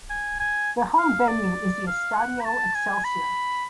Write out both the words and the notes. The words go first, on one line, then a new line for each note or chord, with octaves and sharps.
Their home venue is the Estadio Excelsior.
G#5
G#5
F5
D5
F5
F#5
B5
A5
G#5
B5